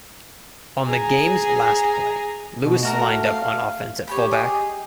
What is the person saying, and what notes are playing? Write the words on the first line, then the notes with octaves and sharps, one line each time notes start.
On the game's last play, Lewis lined up on offense at fullback.
G#4 A#5
B2
A3 F#4 A#4 A#5
F5
G4 C#5 G5 B5
G#4 D#5